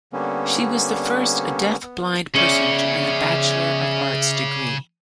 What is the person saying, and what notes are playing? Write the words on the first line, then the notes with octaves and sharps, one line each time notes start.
She was the first deaf-blind person to earn a bachelor of arts degree.
D3 G3 A#3 B3 C#4
B3
C#3 C#4 G#4 D5 E5